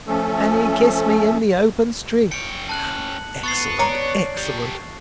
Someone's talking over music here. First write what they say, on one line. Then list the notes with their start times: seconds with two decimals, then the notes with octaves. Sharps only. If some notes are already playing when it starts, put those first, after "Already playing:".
"And he kissed me in the open street"--excellent, excellent!
0.07 F3 A3 C#4 A4
2.32 C#4 G5 C#7
2.69 A5 F#6 F#7
3.43 B3 C#6 A6 C7
3.79 C#5 D5 A#5
4.37 G4 A4